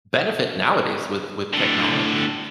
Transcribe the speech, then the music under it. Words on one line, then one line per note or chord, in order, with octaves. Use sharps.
benefit, nowadays, with with technology,
A2 D3